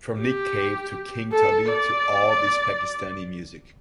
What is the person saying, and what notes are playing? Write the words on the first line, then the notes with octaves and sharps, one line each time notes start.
From Nick Cave to King Tubby to all this Pakistani music.
G4
A4
D5